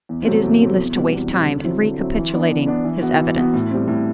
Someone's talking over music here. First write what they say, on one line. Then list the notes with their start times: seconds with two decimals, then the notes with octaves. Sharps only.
It is needless to waste time in recapitulating his evidence.
0.09 E2
0.26 C3 F#3 A3 C4
0.43 E2
0.61 C3 F#3 A3 C4
0.78 E2
0.95 B2 G3 C4 F#4
1.12 E2
1.29 B2 G3 C4 F#4
1.47 D3
1.64 F#3 C4 E4
1.81 D3
1.99 F#3 C4 E4
2.16 E3
2.34 B3 D4
2.50 E3
2.67 B3 D4
2.84 E3
3.02 B3 F#4
3.19 E3
3.37 B3 F#4
3.53 A2
3.71 G3 C4
3.87 A2